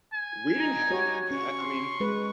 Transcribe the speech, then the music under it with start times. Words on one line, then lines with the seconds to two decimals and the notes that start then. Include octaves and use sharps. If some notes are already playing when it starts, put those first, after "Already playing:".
We didn't have any of that. I mean,
0.13 G#5
0.59 D#4
0.91 F#4 G4 C#5
1.31 C#4 C#6
1.60 C6
2.00 G#3 B4